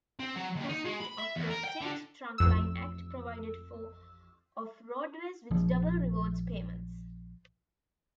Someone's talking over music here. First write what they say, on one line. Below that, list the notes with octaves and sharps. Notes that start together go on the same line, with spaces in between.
Passage of the "State Trunkline Act" provided for of roadways with double rewards payments.
C4
F#3
D#2
D#4
G#3
B5
E5
E2
A#4
G5
D3
A1 F2 E6
A#1 F3